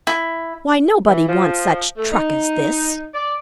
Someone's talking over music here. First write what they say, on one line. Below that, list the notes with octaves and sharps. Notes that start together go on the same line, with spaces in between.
Why, nobody wants such truck as this.
E4
E3
F3
A3
D#4
D5